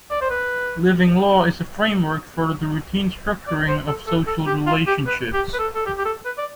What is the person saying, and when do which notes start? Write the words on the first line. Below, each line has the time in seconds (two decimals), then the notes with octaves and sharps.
Living law is a framework for the routine structuring of social relationships.
0.11 D5
0.21 C5
0.30 B4
3.48 D5
3.68 C5
3.88 A4
4.07 A4
4.27 A4
4.47 G4
4.67 F4
4.87 G4
5.07 B4
5.34 G4
5.54 B4
5.59 A4
5.75 A4
5.86 G4
5.98 G4
6.05 A4
6.25 B4
6.38 D5